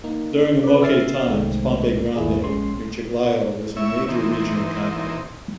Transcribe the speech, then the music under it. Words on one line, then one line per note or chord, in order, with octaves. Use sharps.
During the Moche times, Pampa Grande, near Chiclayo, was a major regional capital.
A#3 D#4
B4 D5
C#3 C#4 E5 F6 A6 C7
C2 D#3 G#3 A3 C4
G#1 D#2 A3 E4 G#4
A#1 G#3 C#4 C6
E4 C#5 E5
A#2 E3 C4 D#4